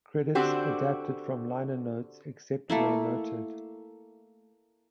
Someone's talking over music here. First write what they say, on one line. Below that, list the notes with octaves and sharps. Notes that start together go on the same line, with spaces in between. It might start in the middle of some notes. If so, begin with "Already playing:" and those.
Credits adapted from liner notes, except where noted.
D3 C4 D4 F#4 G4 C5
A3 A#3 E4